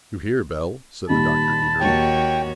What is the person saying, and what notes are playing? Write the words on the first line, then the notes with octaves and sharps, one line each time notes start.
"You hear, Bell," said the Doctor, eagerly.
A#2 D#3 G3 A5 B5
D#2 F#4 C#5 G5